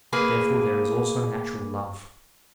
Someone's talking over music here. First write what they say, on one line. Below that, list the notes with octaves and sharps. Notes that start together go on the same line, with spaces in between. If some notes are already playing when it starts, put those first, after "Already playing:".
Therefore there is also natural love.
A#3 G#4 B4